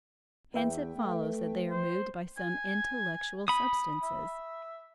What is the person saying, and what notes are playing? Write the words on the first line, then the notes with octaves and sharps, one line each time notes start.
Hence it follows that they are moved by some intellectual substances.
E2 B4 E5 G5
A3
C5
G#5
B5 D#6
E5